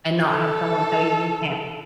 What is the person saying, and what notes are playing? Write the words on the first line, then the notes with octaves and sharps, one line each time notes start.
and not have someone tell you you can't.
A4